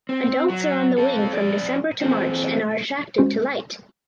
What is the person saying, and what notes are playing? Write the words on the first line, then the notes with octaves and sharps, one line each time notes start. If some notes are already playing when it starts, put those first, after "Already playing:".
Adults are on the wing from December to March and are attracted to light.
C4
F#3
C4 A4
F2 D5
E2 C4
G#3 C#4 F#4 C5